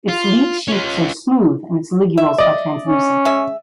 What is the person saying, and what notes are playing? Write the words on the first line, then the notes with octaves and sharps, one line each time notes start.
Its leaf sheaths are smooth and its ligules are translucent.
F4
C#4 F4
E5
D5 D#5
C#4
G#3 E5